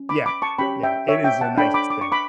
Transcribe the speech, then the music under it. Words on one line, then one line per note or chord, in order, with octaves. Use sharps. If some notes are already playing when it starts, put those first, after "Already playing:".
Yeah. Yeah, it is a nice thing.
Already playing: C#4
B5 D6
B5 D6
A5 C#6
C#4 G4 C#5 G5 B5
E5 G5
C#5 E5
E5 G5
F#5 A5
D4 A4 C#5 G5 B5
B5 D6
D6
C#6
B5 D6